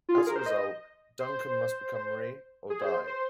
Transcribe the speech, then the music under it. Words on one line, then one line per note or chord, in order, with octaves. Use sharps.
As a result, Duncan must become Mri or die.
F4
G#4
A#4
C5
D#5
C5
C5
G#4
C5
C5